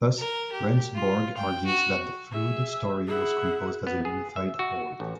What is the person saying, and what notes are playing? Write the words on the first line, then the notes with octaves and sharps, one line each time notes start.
Thus, Rendsburg argues that the Flood story was composed as a unified whole.
A#4
G4
F4
G5
F#4
G#4 E5
E4 G#4 F#5
B3
G#4
E5
F#4
A1